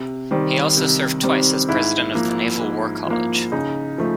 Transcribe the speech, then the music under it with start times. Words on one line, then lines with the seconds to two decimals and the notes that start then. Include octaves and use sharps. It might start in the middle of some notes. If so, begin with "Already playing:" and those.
He also served twice as president of the Naval War College.
Already playing: C3
0.31 D#3 G3 C4
0.77 C3
1.23 D#3 G3 C4
1.69 G#2 E4
2.15 F3 A#3
2.60 G#2
3.07 F3 A#3
3.52 C#3 D#4
3.98 F3 A3